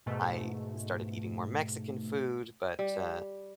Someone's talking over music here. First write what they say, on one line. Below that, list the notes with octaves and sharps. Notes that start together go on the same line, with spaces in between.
I started eating more Mexican food, but, uh,
G#2 B2 A3
G3